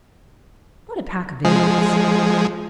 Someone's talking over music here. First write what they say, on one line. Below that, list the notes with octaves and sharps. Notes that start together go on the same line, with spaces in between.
What a pack of idiots!
F3 G#3 G#4